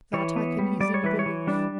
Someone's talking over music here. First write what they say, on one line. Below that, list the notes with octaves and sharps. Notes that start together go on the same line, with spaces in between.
"That I can easily believe."
E3 C#5
B3
G3
G3 D5
C#5
E3 B4
C#5
E3
G3 D4